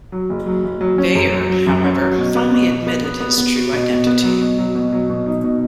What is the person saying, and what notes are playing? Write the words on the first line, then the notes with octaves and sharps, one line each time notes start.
Baer, however, finally admitted his true identity.
F#3
F#1
F#3
F#1
F#3
C#4
F#2
F#3
F#3
F#2
C#4
F#3
B2
B3
B2
B2
B3
B3
B3
B3
F#4
B2
B2
B3
F#3
B2
F#3
B2
F#3
B2
D#4
B2